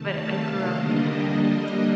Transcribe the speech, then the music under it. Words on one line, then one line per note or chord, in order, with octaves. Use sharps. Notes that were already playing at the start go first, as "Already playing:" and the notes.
but I grew up there, and
Already playing: C3 D#3 A3 A5
F5
D3 G3 A#3 D4 D#5